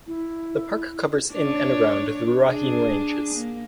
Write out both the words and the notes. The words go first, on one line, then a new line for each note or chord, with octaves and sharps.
The park covers in and around the Ruahine Ranges.
E4
D4 C#5 D5
D4 G#4
A#3